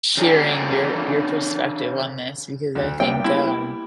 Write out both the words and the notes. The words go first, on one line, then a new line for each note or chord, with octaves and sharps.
hearing your your perspective on this because I think, um,
C#3 G#4 A4 D5 G5
D2
G3 A#3 B3 G5
E4